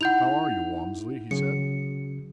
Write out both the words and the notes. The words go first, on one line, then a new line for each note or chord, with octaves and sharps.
"How are you, Walmsley?" he said.
D#4 E4 F#5 G6 F7
C#3 F#3 C#7